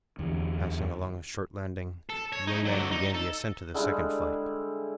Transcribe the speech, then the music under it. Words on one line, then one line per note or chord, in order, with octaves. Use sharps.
Passing along a short landing, the young man began the ascent of the second flight.
E2 D3
A4
C#5
D#4 E4
D3 F#3
D#4
A4
D3 G3 G#3 E4